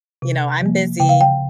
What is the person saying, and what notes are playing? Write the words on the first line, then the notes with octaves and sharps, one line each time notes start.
you know, I'm busy
C3
F3 A#3
C#3 G5
F5
G5